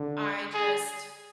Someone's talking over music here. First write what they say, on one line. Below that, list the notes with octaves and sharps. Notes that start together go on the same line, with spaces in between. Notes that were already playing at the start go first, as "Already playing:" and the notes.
I just
Already playing: D3
G#4